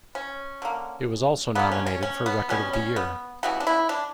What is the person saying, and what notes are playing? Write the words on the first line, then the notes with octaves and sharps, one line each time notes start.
It was also nominated for Record of the Year.
C#4
D3 A#3
D3 A#3 B3
C#4
C#4
C#4
B3
B2 G3 B3 C#4
C#4
B3
C#3 E3 G3 B3 F#4
D4
E4
D4